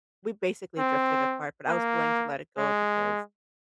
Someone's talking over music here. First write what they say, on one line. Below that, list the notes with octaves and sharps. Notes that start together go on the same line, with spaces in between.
we basically drifted apart, but I was willing to let it go because
C4
A#3
G#3